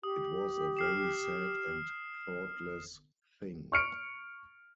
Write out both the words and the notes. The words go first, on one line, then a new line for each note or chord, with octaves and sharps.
It was a very sad and thoughtless thing.
G4 D#6
F6 C7 E7
C#6 F6 C#7 D7